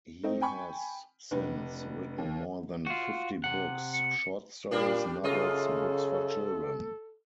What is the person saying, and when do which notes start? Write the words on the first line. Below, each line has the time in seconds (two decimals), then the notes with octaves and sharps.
He has since written more than fifty books, short stories, novels, books for children.
0.24 A3 C4 D#4
0.41 G5 G#5 B5 C#6
1.31 F1 D4 B4
2.18 D#2
2.87 F4 F#4
3.44 C3 F#5
3.93 C#7
4.71 A#2 G3 D4 G4
5.24 F#2 C#3 F4 A4 D#5